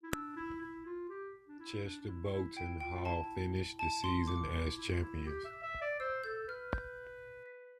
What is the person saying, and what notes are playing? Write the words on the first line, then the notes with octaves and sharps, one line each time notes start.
Chester Boughton Hall finished the season as champions.
E4
D4 E6
E4
E4
F4
G4
D4
E4
D4
D4
E4
E4
E4 G5
F4 G5
F4
E4 A5
E4
E4
E4
A5
C6
D6
E4
E4
F4
E4
G4
E5
E5
D5
C5 E6
A4 G6
B4 F6
G6
B6